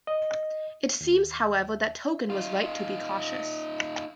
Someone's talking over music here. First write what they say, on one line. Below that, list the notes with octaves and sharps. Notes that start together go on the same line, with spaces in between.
It seems, however, that Tolkien was right to be cautious.
D#5
D#2
D#4 F4